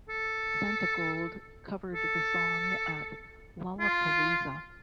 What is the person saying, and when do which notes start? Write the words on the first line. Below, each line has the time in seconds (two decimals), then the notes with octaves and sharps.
Santigold covered the song at Lollapalooza.
0.09 A4
1.95 A4
3.80 F4